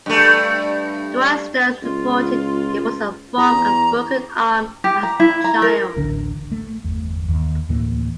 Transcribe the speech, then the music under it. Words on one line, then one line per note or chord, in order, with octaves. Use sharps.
Dwight Stones reported it was from a broken arm as a child.
G2 A3
C#2 F4
E2 A#5
G4
A#5
E4
A#5
A#4
D1 A1 D3 D4
A3
G1 E2
D#2
D2 A2 E3 A#3